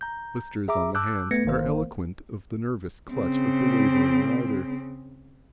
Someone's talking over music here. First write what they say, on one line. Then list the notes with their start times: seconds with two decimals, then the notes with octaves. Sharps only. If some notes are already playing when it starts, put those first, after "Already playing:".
Blisters on the hands are eloquent of the nervous clutch of the wavering rider.
0.01 A#5 G6
0.68 G#4 E5 A#5 D6
0.95 A5 D6 E6 F#6 G6
1.31 A3 B3 B4 G#6 A#6 C#7
1.45 G1 D#3 A#3 C5
3.12 C#3 C4